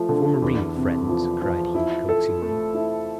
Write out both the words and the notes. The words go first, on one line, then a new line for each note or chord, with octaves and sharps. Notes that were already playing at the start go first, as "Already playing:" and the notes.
"Form a ring, friends," cried he, coaxingly.
Already playing: F3 A3
D3
E2
C3
F3
F3
E4
A4
A3
E4